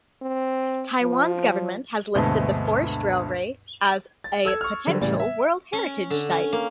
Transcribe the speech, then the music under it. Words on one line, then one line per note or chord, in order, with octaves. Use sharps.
Taiwan's government has listed the forest railway as a potential World Heritage Site.
C4
F3
D2 G2 B2 G#3 A3 C4
A6
A4 E6 G#6
C#6 F6
D3 F#3 G3
A2 C#3 E3 G3
E5
C#4
D3
C#4
A#3